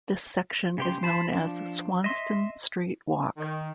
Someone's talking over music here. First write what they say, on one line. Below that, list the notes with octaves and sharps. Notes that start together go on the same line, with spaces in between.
This section is known as "Swanston Street Walk".
C#3 G4 C6
C5 A5 B5
F3 D4
D#5 E5 C6
D#3